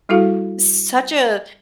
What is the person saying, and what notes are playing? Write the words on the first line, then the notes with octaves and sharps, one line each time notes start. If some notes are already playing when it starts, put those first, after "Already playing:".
such a
G3 E4 F#4 A4 F5